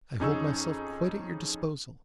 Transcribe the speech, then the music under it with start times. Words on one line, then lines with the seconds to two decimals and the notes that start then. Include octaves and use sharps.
I hold myself quite at your disposal.
0.20 F2 C#4 D#4 G#4 C#6 E6